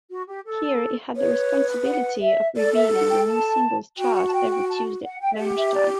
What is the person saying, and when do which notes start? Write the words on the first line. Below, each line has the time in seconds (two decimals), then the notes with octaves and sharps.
Here he had the responsibility of revealing the new singles chart every Tuesday lunchtime.
0.10 F#4
0.27 G4
0.46 A4
1.16 B4 C#5
1.87 F#5
2.22 E5
2.57 A4 D5
2.74 E5
2.92 F#5
3.09 G5
3.27 A5
3.97 F#4 G5
4.15 F#5
4.26 A5
4.33 G5
4.51 G5
4.68 A5
5.04 F#5
5.21 G5
5.32 E5
5.38 G4 F#5
5.57 E5
5.74 D5